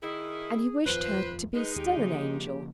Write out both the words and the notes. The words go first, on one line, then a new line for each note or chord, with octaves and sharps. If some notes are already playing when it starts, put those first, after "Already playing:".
And he wished her to be still an angel.
D#3 E4 G#4
D#1 F2 F4 B4 C5
G#3 D#4 B4
D#2 G4
C#3 F3 A#3